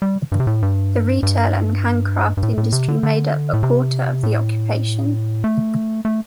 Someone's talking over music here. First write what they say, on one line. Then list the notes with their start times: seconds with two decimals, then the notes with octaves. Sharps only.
The retail and handcraft industry made up a quarter of the occupation.
0.02 G3
0.32 G2
0.40 C3
0.47 A2
0.62 G2
1.23 G2
2.37 G2
2.43 A2
2.58 A2
2.72 C3
2.88 D3
3.03 D3
3.53 A2
3.63 C3
4.23 A2
5.44 A3
6.05 A3